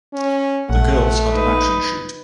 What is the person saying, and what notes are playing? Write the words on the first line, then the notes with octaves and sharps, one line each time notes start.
The girls had an action shoot.
C#4
A#1 A3 F#5
D#4 B4